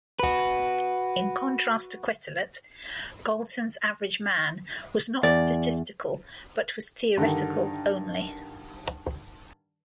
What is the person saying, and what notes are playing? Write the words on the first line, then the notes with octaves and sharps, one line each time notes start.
In contrast to Quetelet, Galton's average man was not statistical but was theoretical only.
F#4 B4
E2 D5
G2 D3 D#3